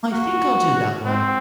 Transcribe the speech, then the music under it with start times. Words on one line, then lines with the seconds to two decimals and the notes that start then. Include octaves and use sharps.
I think I'll do that one.
0.13 F#4
1.05 C4